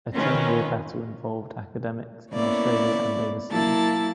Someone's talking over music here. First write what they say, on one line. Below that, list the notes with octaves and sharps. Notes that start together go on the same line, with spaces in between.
A ten-year battle involved academics in Australia and overseas.
D#3 C4 C#4 F4 B4
A#3 B3 C#4 E4 D5
F#3 A#3 E4 A5 A6